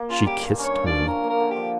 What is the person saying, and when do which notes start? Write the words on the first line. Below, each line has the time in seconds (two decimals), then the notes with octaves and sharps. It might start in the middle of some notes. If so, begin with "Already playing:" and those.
She kissed me.
Already playing: A#3
0.10 C#3 F4
0.26 G3 G4
0.43 G2
0.59 C#4 C#5
0.75 G2
0.86 D5
0.91 F3
1.08 C#4 A#4
1.24 A#3
1.29 A#4
1.40 D3
1.51 G4
1.56 F3